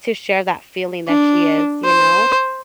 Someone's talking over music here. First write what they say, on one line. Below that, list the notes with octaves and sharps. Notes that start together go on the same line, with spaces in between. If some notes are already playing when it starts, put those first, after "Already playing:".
to share that feeling that she is, you know?
D4
C5